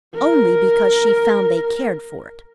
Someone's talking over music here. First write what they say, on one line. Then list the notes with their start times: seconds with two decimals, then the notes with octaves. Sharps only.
Only because she found they cared for it.
0.15 A#4